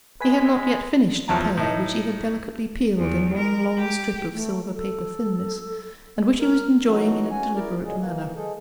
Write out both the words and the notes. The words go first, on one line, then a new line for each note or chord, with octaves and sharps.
He had not yet finished the pear, which he had delicately peeled in one long strip of silver-paper thinness, and which he was enjoying in a deliberate manner.
G#3 B4 G#5 B6
E2 F3 F#3 A5 A#5
A2 D#4
E2
A#4
G4
A3
A4
A#4
E3 F#3 D#4 F#4
C#4 F#4 G#5
E4 A#4 D5
A#2 D3 F#3 G#3 G#4
E3 A#3
G#3 G#4 A4